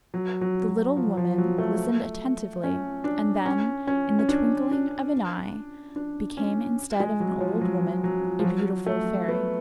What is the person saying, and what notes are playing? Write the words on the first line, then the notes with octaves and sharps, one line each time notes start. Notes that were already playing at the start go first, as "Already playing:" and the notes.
The little woman listened attentively, and then, in the twinkling of an eye, became, instead of an old woman, a beautiful fairy.
F#3
F#3
F#3
F3
F3
F#3
A3
C#4
D4
C#4
C#4
C#4
D4
D4
D4
C#4
G#3
F#3
F3
F#3
F#3
F3
F#3
A3
B3